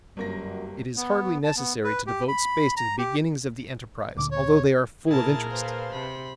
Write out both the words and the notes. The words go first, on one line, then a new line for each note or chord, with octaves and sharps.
It is hardly necessary to devote space to the beginnings of the enterprise, although they are full of interest.
G1 F#2 G3 A#3 A#6
B3
A5
B3
B4
G4
B5
A#5
G4
D2 A#2 D3 D6
C#5
A#2 E4 G#4 A#4 A5
B4 C5 F5 A5
C3 B5